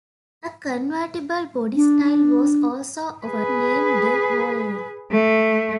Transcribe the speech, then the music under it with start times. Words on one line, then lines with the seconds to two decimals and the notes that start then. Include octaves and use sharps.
A convertible body style was also offered, named the Volante.
1.76 D4
2.04 D4
3.26 G#4 B4
5.12 A3